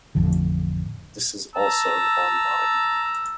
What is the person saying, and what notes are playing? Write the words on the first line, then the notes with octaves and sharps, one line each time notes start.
This is also online.
A1 F2 D3
A5 A#5 E6